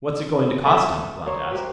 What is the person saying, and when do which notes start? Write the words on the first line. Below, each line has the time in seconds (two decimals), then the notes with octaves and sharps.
"What's it going to cost him?" Blount asked.
0.64 A4 E5
1.26 A#4 C5 C#5
1.51 F#4 G4 A#4 C5